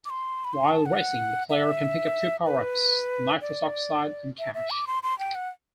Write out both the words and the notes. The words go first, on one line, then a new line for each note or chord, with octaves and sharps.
While racing, the player can pick up two power-ups: nitrous oxide and cash.
D6
C6
B5
C6
A5
F#5
E5
B4
D5
E5
E5
D6
C6
C6
G5
F#5